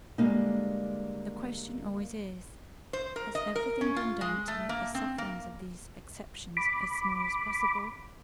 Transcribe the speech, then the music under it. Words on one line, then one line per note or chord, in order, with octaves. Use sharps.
The question always is, has everything been done to make the sufferings of these exceptions as small as possible?
D3 G3 G#3 A#3 D#4
C5
A#4
D#5
A#4
C#4
F4
G#3
A3
A#3
C4
A#3
B5 D6